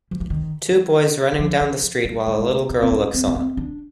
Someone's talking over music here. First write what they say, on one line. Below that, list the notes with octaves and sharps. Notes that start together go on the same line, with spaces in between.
Two boys running down the street while a little girl looks on.
F3
E3
D#3
E3
F3
E3
F3
G3
G#3
G#3
A3
B3
C4
C#4
C4
B3
C4
D4